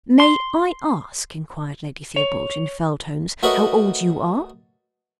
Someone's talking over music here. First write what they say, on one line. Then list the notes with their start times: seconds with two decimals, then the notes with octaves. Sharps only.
"May I ask," inquired Lady Theobald, in fell tones, "how old you are?"
0.20 C6
2.16 C#5
3.43 A3 F#4 A#4 B4 C#5 D#5